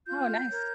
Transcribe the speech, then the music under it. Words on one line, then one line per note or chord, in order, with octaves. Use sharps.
Oh, nice.
F4 G6
A#4 C#5